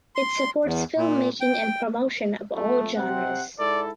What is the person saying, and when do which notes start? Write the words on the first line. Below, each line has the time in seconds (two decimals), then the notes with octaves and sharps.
It supports filmmaking and promotion of all genres.
0.16 C6
0.65 E2
0.97 A#2
1.41 G5
2.54 F2 A3
2.96 C3 C4 F#5
3.59 G#2 E4 A4 D5